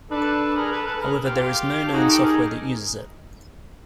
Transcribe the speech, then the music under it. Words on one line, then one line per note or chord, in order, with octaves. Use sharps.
However, there is no known software that uses it.
D4 A4 B4
G#4 A#4
A4 B4
A4 B4
G#4 A#4
F4 G4
F4 G4
A4
D#4 F#4 G#4
G4 A4
G#4 A#4